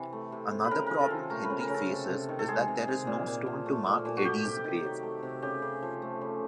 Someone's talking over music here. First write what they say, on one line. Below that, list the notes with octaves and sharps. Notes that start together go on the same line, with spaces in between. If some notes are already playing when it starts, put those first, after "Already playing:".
Another problem Henry faces is that there is no stone to mark Eddie's grave.
Already playing: C3 E3
A3
C3
C3
B4
C#3 A#4
C#3 A#4
A4
F3
A3 A#4
B4
C#3
A#4
C#3 A4
C3
C3
D#3
A4
G#3 G#4
C3
C3
A#2
A#2
F3
A3
A#2
A#2
F#4
A3 G4
C3
D#3
F#3
A3
C3
C#3 G4
C#3
F3
A3
C#3